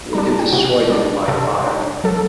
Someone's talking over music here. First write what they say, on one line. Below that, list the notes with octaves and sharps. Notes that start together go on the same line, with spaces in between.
We can destroy them by fire.
G3 D4 A#5
A5
G5
C3 F#4 F#5
G3 D4
C3 A4 A5
G3 D4
F#3 A4 A5